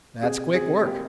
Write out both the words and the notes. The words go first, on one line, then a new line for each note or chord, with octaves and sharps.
That's quick work.
C3 G#4
C3 G#4
A#3 G4